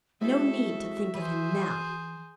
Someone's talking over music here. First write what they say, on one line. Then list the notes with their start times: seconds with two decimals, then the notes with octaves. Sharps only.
No need to think of him now.
0.21 G#3 C4 E4 F#4 A4 E5
1.14 E3 G#4 C5 B5